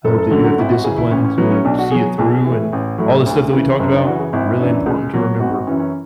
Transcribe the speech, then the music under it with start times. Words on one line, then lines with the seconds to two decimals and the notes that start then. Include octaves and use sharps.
I hope that you have the discipline to see it through, and all the stuff that we talked about, really important to remember,
0.05 F#1 A4
0.18 A4
0.30 F#2 D3 F#3
0.44 F#4
0.58 G#1 E4
0.72 F#4
0.84 F#2 C#3 E3 G#4
0.97 E4
1.11 A1 C#4
1.25 C#4
1.38 A2 F#3 B3
1.51 C#4
1.65 B1 D4
1.78 F#4
1.91 B2 F#3 G#4
2.18 B1 G#4
2.45 A2 E3
2.73 A1
2.98 A2 F#3
3.26 D2
3.53 C#3 E3
3.79 F#1 C#4
3.93 D4
4.05 F#2 C#3 E3 F#4
4.19 G#4
4.33 G#1 E4
4.60 F#2 E3 D4
4.86 C#2 G#4
5.13 B2 F#3
5.40 G#1 F#4
5.53 F#4
5.67 E3 C#4
5.71 F#2
5.80 C#4